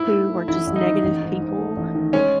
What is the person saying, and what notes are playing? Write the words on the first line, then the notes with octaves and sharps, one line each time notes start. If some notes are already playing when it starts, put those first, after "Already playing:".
who were just negative people,
Already playing: G#2 E4
A3
A3
A1 E4
A1
D#4
D#3
A1
G#2
G#2
A3
A1
D#3
G#3 C#4